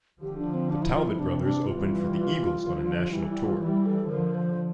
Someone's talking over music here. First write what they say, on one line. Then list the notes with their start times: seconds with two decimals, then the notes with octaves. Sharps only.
The Talbot brothers opened for The Eagles on a national tour.
0.21 D3 F3 G4
0.38 D4
0.54 C4
0.70 D4
0.82 E4
0.94 F4
1.07 E4
1.18 C3 E3 D4
1.43 D4
1.67 E3 G3 F4
2.64 D3 F3
3.12 E3 G3 E4
3.29 E4
3.45 F4
3.61 E3 G3 E4
3.86 A4
4.10 D3 F3 A#4
4.34 C5